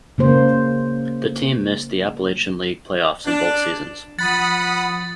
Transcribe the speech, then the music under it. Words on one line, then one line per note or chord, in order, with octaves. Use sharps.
The team missed the Appalachian League playoffs in both seasons.
C#3 A#3 C5
D4
F3 F#5 B5 D#6 A6